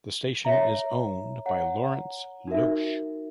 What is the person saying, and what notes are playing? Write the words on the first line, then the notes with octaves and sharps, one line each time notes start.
The station is owned by Lawrence Loesch.
C#5 E5 A#5
C#5 F#5 A#5
D#4 F#4 A#4 E5